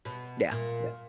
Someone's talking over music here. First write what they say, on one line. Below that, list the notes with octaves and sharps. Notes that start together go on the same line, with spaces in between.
Yeah, yeah.
B2
A#2